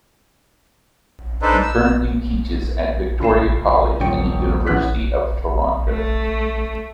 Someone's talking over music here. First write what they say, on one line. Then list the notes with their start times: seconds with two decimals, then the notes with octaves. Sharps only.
He currently teaches at Victoria College in the University of Toronto.
1.42 D4 D#4 A4 B4 C5
1.63 E6
3.20 C#2 B5 C7 E7
4.00 D#1 F2 C#5 G5 C#7
4.67 A1 E4 B4 F#5 F#6 B6
5.89 A3